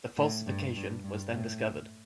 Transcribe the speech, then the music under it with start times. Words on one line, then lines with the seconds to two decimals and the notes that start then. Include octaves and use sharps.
The falsification was then discovered.
0.18 A2
0.46 G2
0.76 G2
1.04 G2
1.33 A2